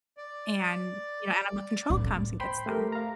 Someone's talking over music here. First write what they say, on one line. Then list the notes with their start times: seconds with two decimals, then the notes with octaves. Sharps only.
and, you know, animal control comes and gets them.
0.17 D5
1.90 A1
2.40 C5 G5 B5 C6
2.66 A3 G4 A#4
2.92 F5 A#5